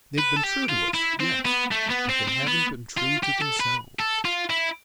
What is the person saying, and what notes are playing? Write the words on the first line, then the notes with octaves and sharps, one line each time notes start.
They've been true to us, yes, but they haven't been true to themselves.
B4
A4
G4
F4
E4
C4
B3
A3
B3
C4
C4
B3
F4
G4
A4
B4
A4
F4
E4